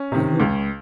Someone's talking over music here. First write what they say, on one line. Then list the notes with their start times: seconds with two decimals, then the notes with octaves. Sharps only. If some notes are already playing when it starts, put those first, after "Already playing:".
"By whom?"
Already playing: C#4
0.12 C3 D#3
0.40 C#2